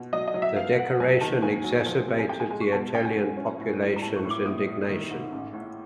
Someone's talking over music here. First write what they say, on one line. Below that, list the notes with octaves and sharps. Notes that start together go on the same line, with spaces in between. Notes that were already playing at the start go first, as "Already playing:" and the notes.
The decoration exacerbated the Italian population's indignation.
Already playing: B2
F#3 D#5
D#5
F#3
E5
B3 F5
B3 F#5
F#3 G#5
D#3 A5
D#2 G#5
F#3
F3
C3
G#5
C3 G5
G#5
G#3 G#5
C#6
B2 A5
C#4 G5
G#5
F#3
C#4
A2
A2
A#5
A2 A5
C#6
A2
D6
A#1 D#6
A#1
D#3
G#2
A1
A2